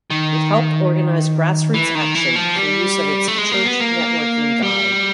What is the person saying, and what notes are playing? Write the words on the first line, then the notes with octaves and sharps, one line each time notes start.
It helped organize grassroots action through use of its "Church Networking Guide".
D#3
E3
D#3
E3
F3
G3
A3
G#3
A#3
B3
A#3
G3